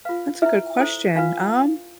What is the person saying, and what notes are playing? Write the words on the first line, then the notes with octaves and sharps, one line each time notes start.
That's a good question. Um,
F4 B4 F5
E4 B4 E5
E4 A4 C5
D4 F4 B4 F5